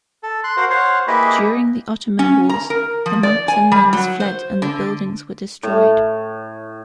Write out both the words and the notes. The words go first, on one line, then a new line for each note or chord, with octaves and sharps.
During the Ottoman wars the monks and nuns fled and the buildings were destroyed.
A4
C6 F#6
F#4 A#4 C5 F5 F#5
C5 C#5 F5 F#5
A#3 E4 G4 G#4 B4 D#5
C#4
A#5
A#4
F3
D5
G#5
G3
F#3
C5
D3
A2